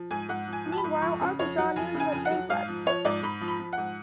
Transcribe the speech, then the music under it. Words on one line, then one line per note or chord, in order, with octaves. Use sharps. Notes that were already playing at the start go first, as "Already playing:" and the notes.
Meanwhile, Arkansas nearly went bankrupt.
Already playing: F3
G#2 G#5
G#2 F#5
F3
G#5
F3
A5
B5
G#2
F2 C#6
C#3
F2 C#5
F#3 F#5
F2 G#5
C#3
G#5
F2
F#5
F#3
G#2 F5
F3
F3 C#5
G#2 D5
G#2 B5
F3
B5
F3
G#2 F#5